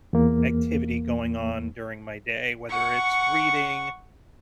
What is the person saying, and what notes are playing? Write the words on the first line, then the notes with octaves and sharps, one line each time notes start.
activity going on during my day, whether it's reading
E2 A#3
F#5 C#6